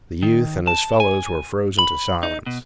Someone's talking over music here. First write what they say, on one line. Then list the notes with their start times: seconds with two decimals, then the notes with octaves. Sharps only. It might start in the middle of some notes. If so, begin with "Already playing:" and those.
The youth and his fellows were frozen to silence.
0.23 D#3
0.67 A5
1.00 G#5
1.79 B5
2.23 D#4
2.46 B2